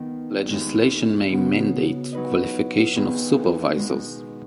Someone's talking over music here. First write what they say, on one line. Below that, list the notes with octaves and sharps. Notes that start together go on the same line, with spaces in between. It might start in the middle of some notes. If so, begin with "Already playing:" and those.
Legislation may mandate qualifications of supervisors.
Already playing: D#3 B3
D#2 D#3 G#3
C#3 B3 F#4
F#3 D#4 B4 D#5
D#3 B3 G#4 B4 D#5
B2 G#3 B3 D#4